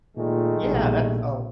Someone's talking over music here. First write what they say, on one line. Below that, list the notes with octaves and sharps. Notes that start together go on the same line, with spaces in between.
Yeah. That's Oh
A#2 D#3 G#3 A3
A#1 B2 G3